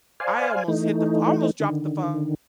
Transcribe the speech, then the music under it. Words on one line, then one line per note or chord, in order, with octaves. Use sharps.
I almost hit the fl I almost dropped the phone.
C5 D5 F5 G#5
E3 A3 D#4
D3 D#3